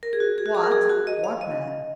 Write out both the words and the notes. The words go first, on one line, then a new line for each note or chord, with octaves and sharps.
"What--what man?"
A#4
G#4
F#4
G#4
F#4
G#4
A#4
G#4
F#4
D#5
F5
D#5